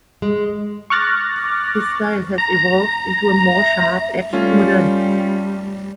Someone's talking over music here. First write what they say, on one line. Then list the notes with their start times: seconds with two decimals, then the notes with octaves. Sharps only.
His style has evolved into a more sharp-edged modernity.
0.22 G#3
0.90 C#6 D6 F6 F#6 A6 A#6
2.38 A#5
3.54 E5
4.33 G3 A3 C#4 F4